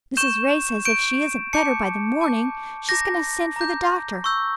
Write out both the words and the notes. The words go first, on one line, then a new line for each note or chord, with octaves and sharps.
Mrs. Ray says if she isn't better by the morning she's going to send for the doctor.
C#6 G6 E7
C#6 G6 D7
A5 D6 G6 C#7
A5 D6 G6
A#5 D6 G6 A#6
A#5 D6 G6
C#6 E6 G6